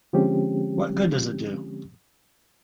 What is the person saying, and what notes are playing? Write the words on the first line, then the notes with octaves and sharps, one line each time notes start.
What good does it do?
D3 F3 G#3 C4 C#4 G4